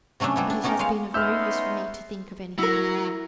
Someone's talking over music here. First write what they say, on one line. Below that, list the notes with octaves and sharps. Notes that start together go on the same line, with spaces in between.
But it has been of no use for me to think of anything.
C3 F#3 A3 C#4 D4
G3 B3 E4
D4
B3 C#4 D#4 G4 A#4
G#3 C#5 F5
B3 C#4 D#4 E5 C6 E6 F6 G6
F#3 E4 A#4